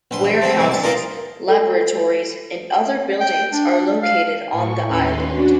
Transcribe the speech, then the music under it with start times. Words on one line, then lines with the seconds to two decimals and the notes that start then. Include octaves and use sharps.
Warehouses, laboratories, and other buildings are located on the island.
0.11 A#1 B4 C6
0.24 E3
0.42 F3 B3 C4
0.56 E2 G#2 C3 G3
0.71 G2 A5
0.83 A#4 C5 D5 D#5 F5 G5
1.48 A4
3.20 G5
3.52 D4
4.03 F5
4.52 A2 C#6
4.87 D#2 C#4 B4 C6
5.27 C#4 D4 F#4